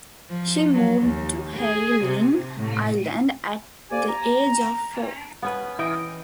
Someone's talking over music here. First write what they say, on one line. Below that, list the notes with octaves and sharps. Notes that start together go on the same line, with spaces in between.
She moved to Hayling Island at the age of four.
F3
F#3
D#2
G#4
C3
A2
D2 A#3 G4 D5 G#5
A#5
B3 C#4 B4
E3 D#5 G5